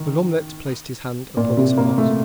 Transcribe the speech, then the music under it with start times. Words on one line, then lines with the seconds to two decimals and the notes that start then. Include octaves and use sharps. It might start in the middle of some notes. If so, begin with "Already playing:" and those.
De L'Omelette placed his hand upon his heart.
Already playing: D#3
1.37 A#2
1.57 C3
1.77 A#3
1.98 A3